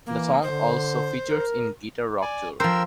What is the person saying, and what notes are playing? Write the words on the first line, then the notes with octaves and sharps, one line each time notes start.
The song also features in Guitar Rock Tour.
E3 A#3
D3 C5
A#4
D5 G#5
F3 A#4 C5 G5 E6